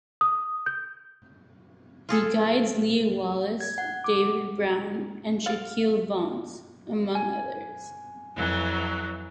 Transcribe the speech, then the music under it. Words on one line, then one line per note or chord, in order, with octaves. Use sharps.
He guides Lea Wallace, David Brown and Shaquille Vance, among others.
D#6
G6
F4 G#4 A4
G#6
F#5
D6
F4 F5
G#5
F2 E3 F#3